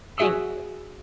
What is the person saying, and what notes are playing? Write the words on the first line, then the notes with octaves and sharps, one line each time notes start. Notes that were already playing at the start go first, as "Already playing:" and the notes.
Thank you.
F#4 G#4 E5 D#6 E6